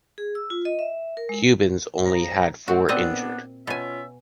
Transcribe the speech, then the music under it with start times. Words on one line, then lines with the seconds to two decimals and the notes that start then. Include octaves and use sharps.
Cubans only had four injured.
0.18 G#4
0.35 E6
0.50 F4
0.65 D#5
0.79 E5
1.17 A#4
1.29 G#3
2.05 F3 A#5
2.68 G2 A3 C4 F#4
2.89 A#2 B3 C4 D4 D#5
3.67 B2 C#4 F4 E5 G#5